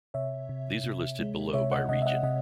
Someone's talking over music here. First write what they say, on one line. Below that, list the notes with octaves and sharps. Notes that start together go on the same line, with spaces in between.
These are listed below by region.
C3 C#5 E5
C3
C3
G#3
C3 C#5 E5
D#5 F#5
C3 D#5 F#5
E5
D#5 F#5
C3 D#5 F#5